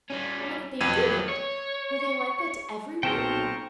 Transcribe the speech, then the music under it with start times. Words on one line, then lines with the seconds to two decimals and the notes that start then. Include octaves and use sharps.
Why did they do it? Were they like that to everyone?
0.10 G3 C#4
0.81 F2 F#3 B3 G#6 D#7
1.29 C#5
3.03 B1 A#2 C4 F5 G5 A5 A#5 C#6